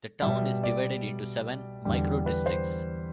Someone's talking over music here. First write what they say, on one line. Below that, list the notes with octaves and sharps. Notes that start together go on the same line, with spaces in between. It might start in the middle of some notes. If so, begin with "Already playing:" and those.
The town is divided into seven microdistricts.
B2 G3 E5
D5
E2 D3 G3
B4
C5